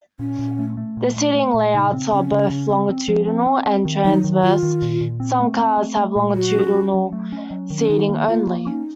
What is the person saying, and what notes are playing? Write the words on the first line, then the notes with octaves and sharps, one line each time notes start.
The seating layouts are both longitudinal and transverse; some cars have longitudinal seating only.
A#2 C#4
A#2
A3
A3
A#2
A3
A3
A#2
C#3 D#4
C4
C#3 C#4
C#3
C#3
C4
C4
F3
C4
C4
C4
D#3
F#3 D#4
D#3
D#3 F4
D#3
A#2
A#2
C4
A3
C4
A3
A3
A#2
F#3 F#4
C#4
C#4
F#3
A3
C#4
F#3
D#3
C#4
D#3 D#4
A#3
A#3 F4
A#3
C#4 D#4